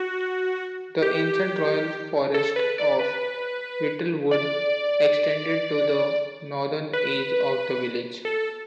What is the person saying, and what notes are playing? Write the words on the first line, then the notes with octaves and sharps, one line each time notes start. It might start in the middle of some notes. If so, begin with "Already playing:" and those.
The ancient royal forest of Whittlewood extended to the northern edge of the village.
Already playing: F#4
G4
A4
B4
D5
B4
D5
B4
A4